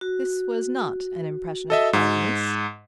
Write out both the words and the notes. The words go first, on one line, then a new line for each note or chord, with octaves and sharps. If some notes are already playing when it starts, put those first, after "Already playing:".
This was not an impression of hardness.
F#4
A4 D#5 E5
G#2